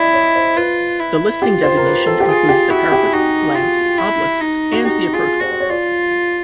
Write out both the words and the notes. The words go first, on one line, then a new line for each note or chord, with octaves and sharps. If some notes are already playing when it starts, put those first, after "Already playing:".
The listing designation includes the parapets, lamps, obelisks and the approach walls.
Already playing: E4 D5 D#5
C#5
C5
F4 B4
E4
F4 G4
C5
A#4
B4
A4
G4
F4 G#4
G4
E4 F#4
G4
D#4 F#4
F4
E4
D#4
F#4
D#4 G4
F4 G#4
F#4 C5
C5
C#5
F4 D5